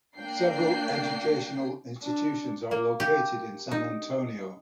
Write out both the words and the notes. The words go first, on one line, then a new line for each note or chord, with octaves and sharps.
Several educational institutions are located in San Antonio.
A#3 D4 G5 C7
D4
A#3
G4
D#4